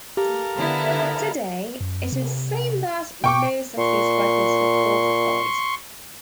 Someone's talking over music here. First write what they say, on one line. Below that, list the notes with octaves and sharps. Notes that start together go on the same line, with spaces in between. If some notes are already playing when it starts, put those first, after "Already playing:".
Today it would seem that most of these records were falsified.
G4 A4 A#4 F5
D3 B3 E4
F#2
C3
B2 G5 C#6 D6
A#2 C6 C#6